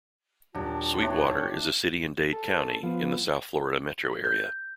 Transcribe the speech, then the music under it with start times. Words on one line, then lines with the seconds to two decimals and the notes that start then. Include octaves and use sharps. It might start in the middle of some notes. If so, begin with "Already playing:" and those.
Sweetwater is a city in Dade County, in the South Florida metro area.
0.55 D#1 D4 F#4 G5 A5
1.01 E3 D4 D#4 C#5
2.32 A4
2.83 F3 B3
4.25 G6